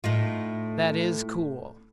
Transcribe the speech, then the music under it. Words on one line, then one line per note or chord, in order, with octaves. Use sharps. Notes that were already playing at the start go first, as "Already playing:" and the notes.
That is cool.
A2 D#4 F4